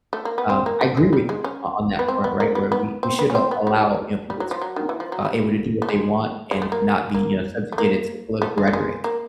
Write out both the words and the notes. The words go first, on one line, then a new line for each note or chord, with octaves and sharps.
um, I agree with you o on that front, right? Where we we should allow, you know, people to be, uh, able to do what they want and not be, you know, subjugated to political rhetoric.
A3
A#3
B3
C4
A#3
A3
G#3
G3
G#3
C#4
B3
C4
B3
A#3
B3
B3
C4
B3
C#4
C4
B3
G3
G3
F#3
F3
F#3
D#3
E3
F3
F#3
G3
A3
G#3
G#3
A3
A#3
A#3
A3
A#3
A3
G#3
A3
G#3
A#3